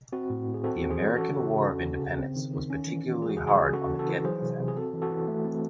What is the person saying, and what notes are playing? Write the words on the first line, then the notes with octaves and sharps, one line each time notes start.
The American War of Independence was particularly hard on the Gedney family.
C4 F#4
A2
A2
G#4
C4 F#4 A4
E3
G#4 C5
E3
C#4 F#4 A4
C#3
C#3
C#4
C#3
C#3
C4
D#3
D#3
C#4
E3
E3
G#3 G#4
F#4
C#3 G#4
G#4
C#3
C#4 F#4 A4
E3
F#4 A4
E3
F#3 G#4 C5
C3
C3
G#4
C4 F#4 A4
E3
F#4 A4
E3
A3
C4